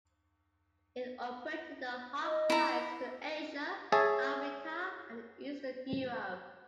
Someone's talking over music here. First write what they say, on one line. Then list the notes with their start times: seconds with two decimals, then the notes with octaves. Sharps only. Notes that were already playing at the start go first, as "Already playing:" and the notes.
It operated ad hoc flights to Asia, Africa and eastern Europe.
2.25 D#5
2.50 E4 A#5
3.92 G#4 C#5 E5 G#5 A5